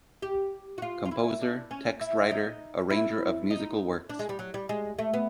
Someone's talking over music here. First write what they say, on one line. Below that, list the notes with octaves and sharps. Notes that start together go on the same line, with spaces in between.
Composer, text writer, arranger of musical works.
G4
F#4
F4
F4
E4
D4
C#4
E4
D#4
E4
D#4
D4
G#3
G3
F#3
G3
G#3
A3
B3